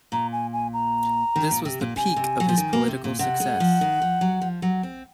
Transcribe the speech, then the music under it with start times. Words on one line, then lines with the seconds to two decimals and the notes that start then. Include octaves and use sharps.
This was the peak of his political success.
0.12 A#2 A#5
0.32 G#5
0.53 G#5
0.73 A#5
1.36 D#3
1.51 A#2
1.65 C3
1.81 A#2
1.96 C3 G#5
2.16 C3
2.40 F#3
2.49 F3
2.58 D#3
2.73 A#3
2.88 C3
3.04 A#2
3.19 C3 F#5
3.40 G#3
3.60 F3
3.81 D#3
4.02 F3
4.21 F#3
4.42 F3
4.62 F#3
4.83 C4